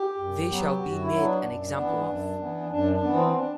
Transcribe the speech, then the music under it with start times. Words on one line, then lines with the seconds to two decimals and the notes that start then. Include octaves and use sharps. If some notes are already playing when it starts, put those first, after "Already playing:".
They shall be made an example of.
Already playing: G4
0.17 F#2
0.49 F#3 B3
0.81 F#2 F#4
1.02 E4
1.12 F#3 B3
1.23 D4
1.45 F#2
1.76 E3 B3
2.09 F#2
2.40 E3 B3
2.71 F#2 D4
2.93 D4
3.03 E3 B3
3.14 C4
3.36 D4